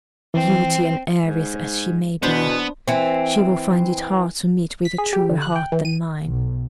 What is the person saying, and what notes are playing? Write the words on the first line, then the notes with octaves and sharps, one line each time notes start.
Beauty and heiress as she may be, she will find it hard to meet with a truer heart than mine.
E3 C4
G#2
E2 B2 B3 D4 C5 B5
E3 C4
B6
G#4
G4
D3
F#6
G5
E3
D#7
B1